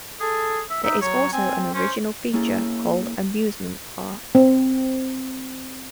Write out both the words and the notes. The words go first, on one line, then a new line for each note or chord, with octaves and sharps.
There is also an original feature called "Amusement Park".
G#4 A4
E5
D#4 E5
F#3 C#5
C4 G#5
C#4 C5
A#3 C#4 E4 G#4 A4
C4